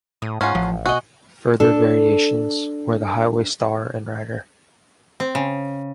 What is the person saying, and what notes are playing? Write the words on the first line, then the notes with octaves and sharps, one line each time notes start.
Further variations, where the Highway Star, and Rider.
A2 D#6
G#2 C#4 F4 F#5 G#5 A#5
A1 F3
B2 F#4 D#5 G#5 D#6
D4 A4
C4
C#3